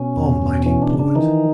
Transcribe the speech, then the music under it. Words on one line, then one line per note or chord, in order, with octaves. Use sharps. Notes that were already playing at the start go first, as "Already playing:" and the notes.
O, mighty poet!
Already playing: B2 C#4
E2
B2
E3 C#4
D4
C#3
D4
D#3 E3 D#4